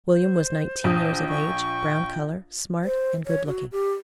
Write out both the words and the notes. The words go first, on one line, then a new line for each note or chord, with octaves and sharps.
William was nineteen years of age, brown color, smart and good-looking.
C5
A#1 G5 D#6
C#6
C5
C#5
F#4
G4